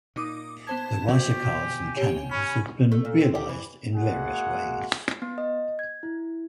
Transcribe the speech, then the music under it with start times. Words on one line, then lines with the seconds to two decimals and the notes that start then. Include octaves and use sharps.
The ricercars and canons have been realised in various ways.
0.16 A#2 D#4 D6 D#6
0.67 B3 C5 A5 G#6
1.08 B2 D3 F3 F#4 G4
1.58 G#5
1.96 G4 C#5
2.31 C#4 B5
2.92 A3
3.05 A#2
3.21 C4
3.35 G4
3.49 E3
3.95 G#3 A#3 F#4 G#4 F#5
5.22 B3
5.38 D#5
5.79 G#6
6.03 E4